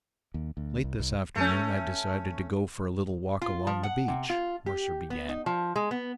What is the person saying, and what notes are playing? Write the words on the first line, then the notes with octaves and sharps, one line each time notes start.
"Late this afternoon I decided to go for a little walk along the beach," Mercer began.
D#2
D2
C2
C2
A3 C#4
F4
F3
F#5
C3
F4
G4
B3
D#4
F3
G#3
B3